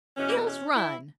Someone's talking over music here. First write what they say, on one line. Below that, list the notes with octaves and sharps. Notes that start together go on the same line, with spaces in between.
"Eels run!"
E2 B2 C#4
A#3
B3
C#4
E4